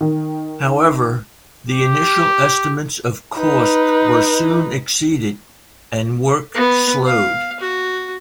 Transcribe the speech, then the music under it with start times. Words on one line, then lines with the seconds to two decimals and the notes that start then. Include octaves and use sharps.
However, the initial estimates of cost were soon exceeded, and work slowed.
0.01 D#3
1.69 G4
3.36 D#4 B4
6.54 B3
7.06 F5
7.60 F#4